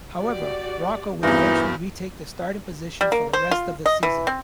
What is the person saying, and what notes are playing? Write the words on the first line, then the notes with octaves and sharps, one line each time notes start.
However, Rocco would eventually retake the starting position for the rest of the season.
F#4 G4 D5
E2 G2 E3 C4 D#4 F#4 A#4
G3
A#3
C5
F4
D#5
E3
C4